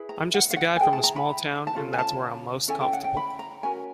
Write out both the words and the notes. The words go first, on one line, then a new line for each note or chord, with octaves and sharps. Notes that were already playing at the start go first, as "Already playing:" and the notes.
I'm just a guy from a small town and that's where I'm most comfortable.
Already playing: E4 G#4 B4
A#5
F#5
F5
F#5
G#5
E4 G#4 B4 G5
A5
A#5
B5
A5
C#4 F4 A4
G#5
A5
C#4 E4 A4 G#5
G5
F#5
G5
B5
A#5
C#4 F#4 A#4 G#5